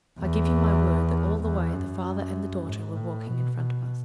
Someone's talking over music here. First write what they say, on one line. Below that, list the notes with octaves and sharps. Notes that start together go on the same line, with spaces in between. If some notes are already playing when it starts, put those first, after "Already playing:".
I give you my word that all the way, the father and the daughter were walking in front of us.
E2
E2
F#2
G#2
A2
B2
B2